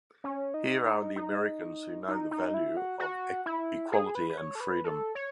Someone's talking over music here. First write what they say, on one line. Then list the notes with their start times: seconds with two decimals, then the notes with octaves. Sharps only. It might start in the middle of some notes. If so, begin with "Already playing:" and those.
Here are the Americans who know the value of equality and freedom.
0.24 C#4
0.54 D#4
0.85 D#4
1.16 D#4
2.08 D#4
2.31 D#4
2.54 E4
2.77 F#4
3.00 F#4
3.46 E4
3.92 G#4
4.15 B4
4.30 B4
4.38 C#5
4.55 A4
4.60 B4
4.84 A4
5.15 C#5